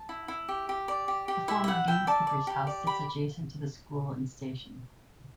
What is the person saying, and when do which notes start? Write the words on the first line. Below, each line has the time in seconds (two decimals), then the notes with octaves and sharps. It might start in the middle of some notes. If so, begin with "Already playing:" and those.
The former gamekeeper's house sits adjacent to the school and station.
Already playing: A5
0.09 E4
0.28 E4
0.48 G4
0.69 G4
0.88 D5
1.08 G4
1.28 G4
1.48 E4 E5
1.64 E5
1.68 E4 F#5
1.88 E4 G5
2.07 D5 A5
2.27 D5
2.47 G4
2.67 D5
2.87 G4 B5